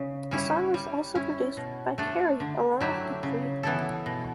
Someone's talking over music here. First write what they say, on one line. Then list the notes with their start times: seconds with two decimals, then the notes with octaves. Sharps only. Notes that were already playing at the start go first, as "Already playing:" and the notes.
The song was also produced by Carey along with Dupri.
Already playing: C#3
0.31 G3 C#4 E4
0.74 G3
1.15 C#4 E4
1.57 B2
1.98 A3 D4 A4
2.40 D3
2.80 F#3 A3 E4 G4
3.23 C#3
3.63 E3 B3 E4 A4
4.06 B2